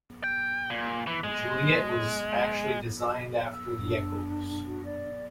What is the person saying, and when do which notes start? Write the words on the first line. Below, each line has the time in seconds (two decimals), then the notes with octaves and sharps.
The Juliett was actually designed after the Echos.
0.24 G5
0.70 A#2
1.07 E3
1.24 G#3
3.53 E6
3.79 F#2 D4
4.66 F#4
4.85 D5